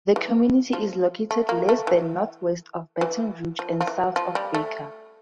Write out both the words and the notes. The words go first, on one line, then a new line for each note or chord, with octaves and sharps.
The community is located less than northwest of Baton Rouge and south of Baker.
E3
F3
A3
A#3
A3
E3
E3
F3
F3
E3
F3
G3
A3